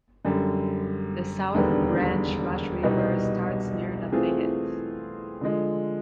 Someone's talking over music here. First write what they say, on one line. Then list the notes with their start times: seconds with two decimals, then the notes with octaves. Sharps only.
The South Branch Rush River starts near Lafayette.
0.25 F#2 D3 G3
1.54 E1 D#2 D3 G3 B3
2.83 C2 B2 G3 B3 D#4
4.12 E3 A3 C4 F4 G#4
5.41 D3 F3 G#3